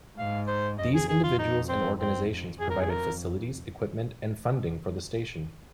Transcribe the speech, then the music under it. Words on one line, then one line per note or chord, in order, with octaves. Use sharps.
These individuals and organizations provided facilities, equipment, and funding for the station.
G#2 F5
C5
F2 D#5
G#4
G#4
F4
D#4
C4
C4
F2 G#4
A#4
G#4
A#4